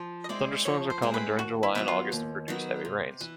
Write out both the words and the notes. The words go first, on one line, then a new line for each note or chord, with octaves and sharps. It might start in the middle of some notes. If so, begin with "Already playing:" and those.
Thunderstorms are common during July and August and produce heavy rains.
Already playing: F3
D#5
G#3 C4 E4 G#4 D5
F3 C#5
C5
G#3 C4 E4 G#4
B4
D#2 F#4
E4
D#3 F#3 B3 E4
F4
D#2
D#3 F#3 B3
C3
E3